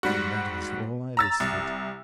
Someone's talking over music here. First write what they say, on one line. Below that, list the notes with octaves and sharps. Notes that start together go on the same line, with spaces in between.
And that is all I elicited.
G#2 G3 F#4
A#5 E6 A6
C2